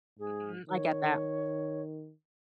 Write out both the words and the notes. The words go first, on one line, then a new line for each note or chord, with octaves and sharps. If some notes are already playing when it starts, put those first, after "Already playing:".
Mhm, I get that.
G#2 G#4
D#3 C#5